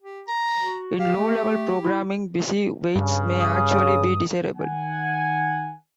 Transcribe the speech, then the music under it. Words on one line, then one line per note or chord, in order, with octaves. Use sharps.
In low-level programming, busy-waits may actually be desirable.
G4
A#5
F#4
G4 F5
A3
E4
G2 C#3
D#6
D#3 F#5 G#5